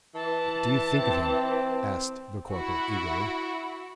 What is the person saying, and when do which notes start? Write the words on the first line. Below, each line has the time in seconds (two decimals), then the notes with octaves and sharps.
"What do you think of him?" asked the Corporal, eagerly.
0.15 E3 A5
0.96 C4
2.50 E4 F#4